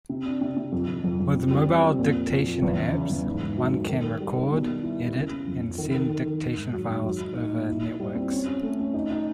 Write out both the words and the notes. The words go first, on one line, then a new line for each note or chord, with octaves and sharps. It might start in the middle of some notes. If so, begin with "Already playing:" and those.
With mobile dictation apps, one can record, edit, and send dictation files over networks.
C3
D4
C3
C3
F2
F2
F2
F2
C4
G3
C4
C4
A#2
A#2
F3
F3
E2
C#3
C#3
E2
G#2
G#2
F#3
F#3
D#3
D#3
G3
D#3
B2
G3
E4
B3
C#3
C#3
F2
C#3
D#3
D#3
D#3
D#3
D#3
G#2
F#3
G#2
F#3
D#4
D#4
A#2
E4
E4
G3
C4
C#4
C#4
A3
C#4
D#4
D#4